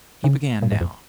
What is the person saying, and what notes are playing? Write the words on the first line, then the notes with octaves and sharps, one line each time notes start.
He began now.
C#3
A#2
G#2
F2